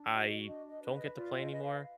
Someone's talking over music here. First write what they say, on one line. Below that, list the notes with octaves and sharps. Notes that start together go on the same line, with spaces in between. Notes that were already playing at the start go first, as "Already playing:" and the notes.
I don't get to play anymore,
Already playing: D4
F#4 D#5
D4 D#5
D#5
B4
D#5
F4 D5
D#5
B4 D#5
F5